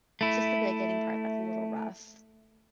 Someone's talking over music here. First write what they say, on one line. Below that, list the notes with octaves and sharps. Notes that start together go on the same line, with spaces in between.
Just the beginning part that's a little rough.
A3 E4